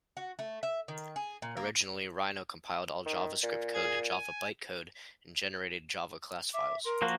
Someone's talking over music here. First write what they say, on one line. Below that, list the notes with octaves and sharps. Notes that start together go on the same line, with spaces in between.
Originally, Rhino compiled all JavaScript code to Java bytecode in generated Java class files.
F#4
A3
E5
D#3
G#4
A#2
A#3
D#3
A#2
G#4 G#6
G#5
E5 D6
A#4 C6
F3 A#3 F#4